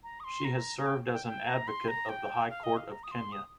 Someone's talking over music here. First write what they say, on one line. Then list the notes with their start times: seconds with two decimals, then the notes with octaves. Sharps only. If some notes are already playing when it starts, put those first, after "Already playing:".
She has served as an advocate of the High Court of Kenya.
0.03 A#5
0.20 D#6
0.24 C6
0.45 A#5
0.79 A#5
0.86 G5
1.06 F5
1.13 G5
1.27 G5
1.47 A#5
1.68 C6
1.88 A#5
2.09 G5
2.50 F5
2.64 D#5
2.77 F5
2.91 A#5
3.03 D#6
3.11 C6
3.32 D#6